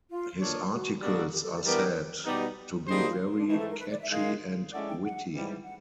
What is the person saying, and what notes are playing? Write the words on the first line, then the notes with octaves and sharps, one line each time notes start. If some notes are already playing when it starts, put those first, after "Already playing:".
His articles are said to be very catchy and witty.
F4
A#3 D4 F4 A4 C#5
F#4
B2 G3 A#3 D4 F#4
G4
A4
A4
E3 G3 B3 D4 G4 A#4
B2 G3 B3 D#4 G4
G3 A#3 D#4 G4 G#4 C5
F#4
F4
D4
G#2 E3 A3 D#4
A4
A#4
B4
D5
E5
F#2 D#3 G#3 F5
G#3 C#4 E4 A4 D5 F#5
G5
F#5
G#2 E3 G3
F#5